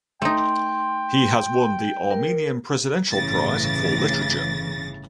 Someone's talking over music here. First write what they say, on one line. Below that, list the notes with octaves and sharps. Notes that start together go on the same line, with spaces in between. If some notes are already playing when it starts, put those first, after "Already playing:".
He has won the Armenian Presidential Prize for Literature.
A3 D#4 G5 C6
A#4
G1 A2 C#3 E3 A6 A#6